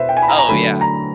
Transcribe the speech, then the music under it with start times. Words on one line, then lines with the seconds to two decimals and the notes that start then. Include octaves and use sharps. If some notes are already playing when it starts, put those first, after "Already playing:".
Oh, yeah.
Already playing: B2 B4 C5 E5
0.09 G5
0.17 G#5
0.22 B5
0.28 A#5
0.38 A#5
0.49 D3 F#3 A3 B5
0.81 A#5